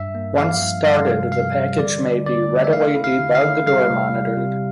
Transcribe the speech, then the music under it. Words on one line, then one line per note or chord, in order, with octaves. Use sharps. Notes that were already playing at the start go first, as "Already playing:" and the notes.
Once started, the package may be readily debugged or monitored.
Already playing: G2 E5
A#3
F3 F5
G2
G3 F5
C3
C3 F5
G3
D3 D5
D3
D3 D5
A3
E5
E4 F5
E4
F5
D3
F5
E4
G3 F5
C3
G3
C3